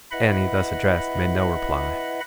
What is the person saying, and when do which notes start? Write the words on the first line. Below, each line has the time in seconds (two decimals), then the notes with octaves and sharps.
Annie, thus addressed, made no reply.
0.12 E4 B4 D#5 E5 F#5 B5